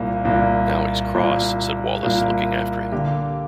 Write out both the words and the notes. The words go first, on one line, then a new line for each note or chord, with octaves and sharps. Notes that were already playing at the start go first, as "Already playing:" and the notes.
"Now he's cross," said Wallace, looking after him.
Already playing: C2 A#2 A#3
C2 A#2 A#3
C2 A#2 A#3
C2 A#2 A#3
D3 A#3 G4